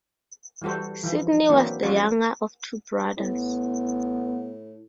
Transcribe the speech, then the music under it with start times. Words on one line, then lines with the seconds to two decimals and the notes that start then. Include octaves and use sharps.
Sydney was the younger of two brothers.
0.62 E3 G3 F#4 A4 C5
1.03 E3 F3
1.50 E3 F#3 A#3 C4 D4 E4
1.83 F3 G3 G#3 C#4 F4 F#4
3.17 A2 B3